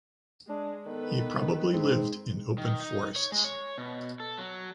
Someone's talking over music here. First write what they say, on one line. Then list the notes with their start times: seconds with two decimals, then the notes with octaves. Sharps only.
He probably lived in open forests.
0.49 G#3 D4
0.86 D#3 B3 A4 B4
1.73 G#2 C4
2.58 D#3
2.80 D#4
3.16 C#5
3.32 G#3
3.44 C#5
3.78 B2
4.20 A4
4.38 F#3